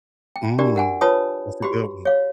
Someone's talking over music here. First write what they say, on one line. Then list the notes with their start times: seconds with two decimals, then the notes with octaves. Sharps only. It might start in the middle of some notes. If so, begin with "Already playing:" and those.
Mm. That's a good one.
0.36 G5
0.59 D4 F#4 G4 A#4 D5
0.76 A#4 F#5 G#5
1.01 F4 B4 C#5 A5 B5 D#6
1.62 F#4 G4 B5
2.05 C#5 F5